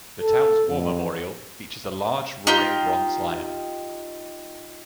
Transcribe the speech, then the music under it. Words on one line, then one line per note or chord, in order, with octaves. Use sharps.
The town's war memorial features a large roaring bronze lion.
A4
F2
D#4 F4 G4